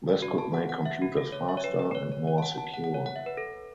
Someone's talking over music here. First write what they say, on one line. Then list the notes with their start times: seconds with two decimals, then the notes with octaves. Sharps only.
This could make computers faster and more secure.
0.22 F#4
0.38 A5
0.54 F#5
0.69 F#5
0.85 E5
1.02 F#4
1.17 A4
1.32 C#5
1.49 E5
1.57 C#5
1.64 B4
1.79 B4
1.91 B4
1.95 C#5
2.12 C#5
2.27 C#5
2.38 A5
2.42 F#5
2.58 A5
2.74 F#5
2.84 F#5
2.94 C#5
3.06 F#5
3.16 E5
3.26 B4
3.37 A4